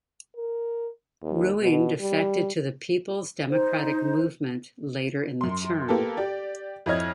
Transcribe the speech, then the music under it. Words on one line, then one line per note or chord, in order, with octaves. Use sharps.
Ruing defected to the People's Democratic Movement later in the term.
A#4
D#2
B2
G3
D#4 C5
F#2 C6
A#3 B3 G4 A4
G4 D5
F2 E4 C#5 D#5 F6 G#6